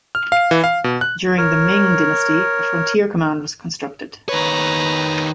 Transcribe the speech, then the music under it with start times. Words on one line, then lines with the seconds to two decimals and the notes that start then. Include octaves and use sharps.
During the Ming Dynasty, a frontier command was constructed.
0.15 F6
0.32 F5
0.51 E3
0.64 F5
0.84 B2
1.01 F#6
1.38 A#4 C#5
4.29 D#3 B4 C#5 A#5